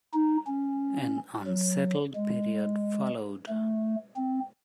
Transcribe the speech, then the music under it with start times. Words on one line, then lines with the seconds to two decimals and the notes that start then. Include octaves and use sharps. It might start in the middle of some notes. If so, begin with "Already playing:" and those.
An unsettled period followed.
0.14 D#4
0.47 C#4
1.47 F#3
2.15 G#3
3.48 A3
4.17 C4